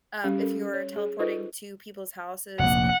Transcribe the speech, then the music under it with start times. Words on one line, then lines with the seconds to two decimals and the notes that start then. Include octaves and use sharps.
um, if you're teleporting to people's houses
0.24 G3 C#4 G4
0.39 C#4 A4 A#4
0.74 C#5
0.96 G#4
1.19 D#4 F4 A4 B4 C5 D#5
2.59 F1 A#1 F#5